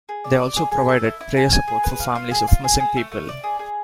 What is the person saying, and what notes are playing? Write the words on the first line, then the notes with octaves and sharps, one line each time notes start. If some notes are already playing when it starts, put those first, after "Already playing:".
They also provided prayer support for families of missing people.
G#4
D5
D5
G#4
G#4
A4
E4
E4
G#5
G#5
G#4
B4
F5
F4
G#4
F4
G#4
G#4
A3
A3
D5
G#4
G#4